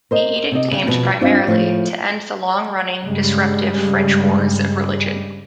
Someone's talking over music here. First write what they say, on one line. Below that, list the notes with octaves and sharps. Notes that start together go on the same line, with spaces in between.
The Edict aimed primarily to end the long-running, disruptive French Wars of Religion.
A#4 C5 D#5
C3 D#5
C#3
F2 B2
G2 C4 D4 F4 E5
A2 F3
G2 C#3 G3 G#3